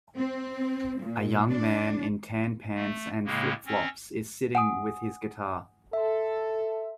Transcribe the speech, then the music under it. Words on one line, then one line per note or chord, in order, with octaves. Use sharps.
A young man in tan pants and flipflops is sitting with his guitar.
C4
A#2
D4
A3
A2 C#3 G#3 A#3
C4 C#4
F#5 G#5 D#6
A4 E5 C6